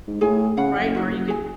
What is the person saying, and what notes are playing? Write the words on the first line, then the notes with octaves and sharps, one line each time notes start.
Right, or you could
G#2
A2 G#4 G#5
C#3 F5 F#5 B5
F#1
D#4 F#4
G#4 G#5